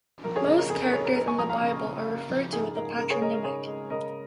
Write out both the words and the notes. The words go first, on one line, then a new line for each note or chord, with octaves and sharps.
Most characters in the Bible are referred to with a patronymic.
F3 A#4
G#4 C#5
C#3 A#4 D#5
A#4
F2 G#4
A#4
F2 G#4 C#5
A#4
G#3 A#4
G#5 C#6
F3 A#5 D#6
F5 A#5
C#3
C#3
A#3
F3
G#2 G#4
G#2 A#4
C#3 A#4
G#4 C#5
G#3 A#4 D#5
A#4
C#3 G#4 C#5
G#3
C#3 A#4 D#5